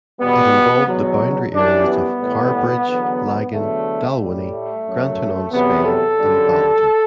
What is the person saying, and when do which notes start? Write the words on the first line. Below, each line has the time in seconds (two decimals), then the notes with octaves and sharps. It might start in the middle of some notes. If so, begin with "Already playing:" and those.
It involved the boundary areas of Carrbridge, Laggan, Dalwhinnie, Grantown-on-Spey and Ballater.
0.20 E2 B2 G3 B3
0.86 E2 B2 F#3
1.53 F#2 E3 G3 D4
1.86 B3
2.19 A2 E3 G3
2.85 E2 D3 F#3
3.52 E2 D3 F#3 A3
4.18 A2 G3
4.52 A3
4.85 F#2 F#3
5.51 E2 C3 F#3 B3
5.85 A4
6.18 F#2 D3 G3